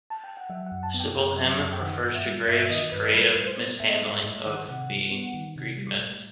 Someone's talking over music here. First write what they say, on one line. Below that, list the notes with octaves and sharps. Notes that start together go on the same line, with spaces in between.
Sibylle Him refers to Graves' creative mishandling of the Greek myths.
A5
G5
F#5
F#3 E5
F#5
F#2
A5
B3
G5
F#2 G5
F#3
E5
F#2
G5
D#3 F#5
G2
E5
G3
G2 E5
E5
D#3 D#5
G2 B4
G3 B4
A2
C5
B3
A2 E5
D#5
E5
G3
A2
D#3 F#5
C3
G3
B3
D#3
C3
G3
A2